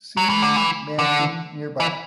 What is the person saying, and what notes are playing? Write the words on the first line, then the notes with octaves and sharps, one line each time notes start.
Seay Mansion nearby.
F#3
E3
D3
E3
D3
E3